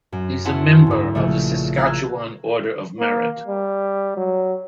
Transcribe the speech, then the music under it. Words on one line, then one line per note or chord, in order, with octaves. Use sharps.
He is a member of the Saskatchewan Order of Merit.
F#2
B3 C#4 E4 F#5 A5 C6
D2 G#2
A#1 C#3 A3
F5 A#5 E6 F#6 G#6
A#3
G3
F#3